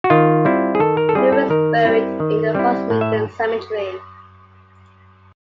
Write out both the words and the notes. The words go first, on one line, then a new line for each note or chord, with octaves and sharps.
He was buried in the Holzminden Cemetery.
F#4
D#3 F4
G3 C4 E4
G#4
D#3 A4
A#4
A4
G3 C4 E4 G#4
A4
D#3 A#4
G3 C4 E4
D#3
G3 C4 E4
A2
E5